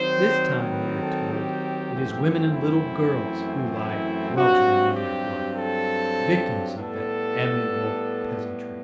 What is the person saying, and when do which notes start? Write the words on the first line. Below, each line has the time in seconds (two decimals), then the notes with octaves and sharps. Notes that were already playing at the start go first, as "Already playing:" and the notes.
This time, we are told, it is women and little girls who lie weltering in their blood, victims of that amiable peasantry.
Already playing: D#3 F#3 C4 C5
0.72 B4
1.02 A4
1.32 G4
1.92 F#2 E3 A3 C4
2.53 E4
3.75 E4
4.35 G2 F#3 C4 F#4
4.96 G4
5.57 A4
6.78 A2 G3 B3 A4